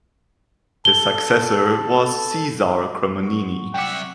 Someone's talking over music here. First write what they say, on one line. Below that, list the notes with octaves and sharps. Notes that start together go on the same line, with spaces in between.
His successor was Cesare Cremonini.
A4 G7
F#3 C4 C#6
C2 E5 F#5 G5 D6